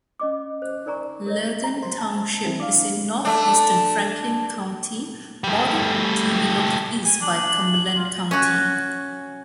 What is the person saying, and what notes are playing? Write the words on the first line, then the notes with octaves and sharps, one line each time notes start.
Lurgan Township is in northeastern Franklin County, bordered to the northeast by Cumberland County.
C#4 D#5 D6
C5
D#4 A#4 D5 G#5 A#5 C#6
A#4 C#5 D#5
A#5
F#3 C5
A5
E3 G3 C4 E4
D4 F5 D6
A3 D4
G3 A3
G#5
D4 F#7
F4
C#4 F#4